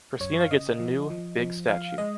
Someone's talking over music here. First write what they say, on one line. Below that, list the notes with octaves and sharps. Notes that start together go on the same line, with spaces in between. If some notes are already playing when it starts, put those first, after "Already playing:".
Pristina gets a new, big statue.
F#2 C#5
F5
C#3 D#5
F3
F3
F3
F3 F5
G#3 D#5